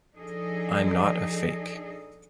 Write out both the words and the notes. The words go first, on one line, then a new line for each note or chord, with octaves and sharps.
I'm not a fake.
F3 D4 D#4 G#4 A4 D#5